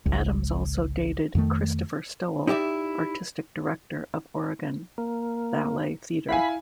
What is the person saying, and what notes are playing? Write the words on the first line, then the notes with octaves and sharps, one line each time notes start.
Adams also dated Christopher Stowell, artistic director of Oregon Ballet Theatre.
G#1 C#2 G#3
F2 D#3 A3
D#4 E4 G4 D5 E5
A#3
E4 F5 G#5 B5